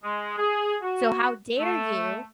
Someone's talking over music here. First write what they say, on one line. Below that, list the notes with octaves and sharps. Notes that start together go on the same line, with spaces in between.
So how dare you?"
G#3
G#4
F#4
A3